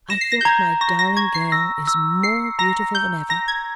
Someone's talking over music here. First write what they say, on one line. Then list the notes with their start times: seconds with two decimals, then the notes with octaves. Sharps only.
I think my darling girl is more beautiful than ever.
0.10 A#6 E7
0.21 C7
0.32 A#6
0.41 G6
0.45 A#5 G#6
0.81 C#6 A#6
0.99 A#6
1.17 C#6 G#6
1.34 C7
1.52 E6 A#6
1.87 E6
2.23 C7 C#7
2.59 A#5 A#6
2.95 A#5 G6
3.30 A#5 A#6
3.48 G#6